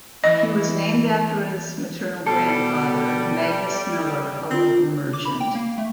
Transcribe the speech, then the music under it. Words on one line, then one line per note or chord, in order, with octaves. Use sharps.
He was named after his maternal grandfather, Magnus Miller, a local merchant.
E3 D#5
B2 G3 A4
C4 F4
D6
B5
G5
A#3
A3